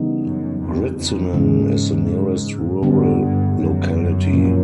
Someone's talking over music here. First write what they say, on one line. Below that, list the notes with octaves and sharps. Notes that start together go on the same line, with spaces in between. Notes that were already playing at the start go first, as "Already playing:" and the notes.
Gritsinin is the nearest rural locality.
Already playing: C#3 E3 G3 B3 D#4
F#2
F2
F2
G#2 C#3 E3 G#3
G#2 D3 G3 B3
G2
F#2
A#2 F3 A#3 C#4